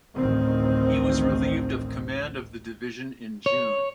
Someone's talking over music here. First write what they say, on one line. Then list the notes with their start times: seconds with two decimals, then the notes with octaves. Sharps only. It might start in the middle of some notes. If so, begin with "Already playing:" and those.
He was relieved of command of the division in June.
0.14 A1 D2 D#3 C4
3.46 C#5